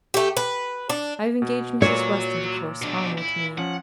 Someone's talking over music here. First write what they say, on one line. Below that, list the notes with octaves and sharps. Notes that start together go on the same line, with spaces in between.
I have engaged Mrs. Weston to correspond with me.
A3 G4
B4
D4
B2
A#2 F#3 C#5
B2 D4
E4
F3 C#4 F#5